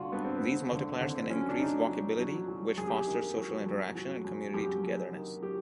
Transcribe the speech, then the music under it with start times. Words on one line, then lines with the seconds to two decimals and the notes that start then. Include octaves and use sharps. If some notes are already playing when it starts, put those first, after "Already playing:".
These multipliers can increase walkability, which fosters social interaction and community togetherness.
Already playing: G2 D3 F4 F#4
0.12 G2 B3
0.25 C4
0.37 G2 B3
0.71 D3
1.01 D3 C4
1.30 F#3 C#4
1.49 D4
1.60 F#3 D#4
1.89 F#3
2.19 F#3
2.48 F#3
2.77 F#2 G#4
2.87 G4
2.98 G#4
3.07 D#3
3.36 F#3
3.66 F#2
3.95 F#3
4.25 F#2
4.54 F#2 G4
4.84 F#2
5.13 D#3
5.42 F#3 G4